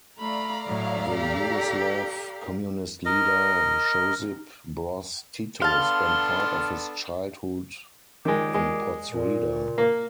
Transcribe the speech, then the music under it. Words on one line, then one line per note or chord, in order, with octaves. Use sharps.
The Yugoslav Communist leader Josip Broz Tito spent part of his childhood in Podsreda.
A3 D5 F5 A#5 B5
A2 F#3 A4
G4
A#4 D#5
B3 D4 A4 F5 A5 C6 F6
D#2 A#2 D#3 G#3 D6
G#3
A#2
A#3